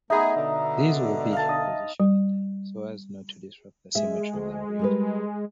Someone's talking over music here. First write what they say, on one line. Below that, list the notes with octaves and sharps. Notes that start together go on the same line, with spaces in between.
These will be positioned so as not to disrupt the symmetry of the bridge.
A3 B3 D#4 G#4 E5
B2 D3
F5 A5
D#5
G3
G#3 G#4 E5
D2
G3 A#4 B4